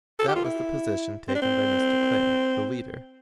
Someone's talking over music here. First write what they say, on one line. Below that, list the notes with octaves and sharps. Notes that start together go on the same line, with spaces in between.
That was the position taken by Mr. Clay, the leader.
A4
G4
F4
E4
C4
D4
C4